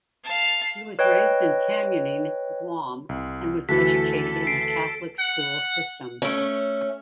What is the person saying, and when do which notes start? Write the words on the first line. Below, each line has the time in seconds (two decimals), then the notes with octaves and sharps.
He was raised in Tamuning, Guam and was educated in the Catholic school system.
0.24 F5 A5
0.99 B4 C#5 D#5 G5
3.09 C2
3.69 D2 E3 F#4 A4 B6
4.47 C7 D7
5.19 F#5
6.22 A3 C#4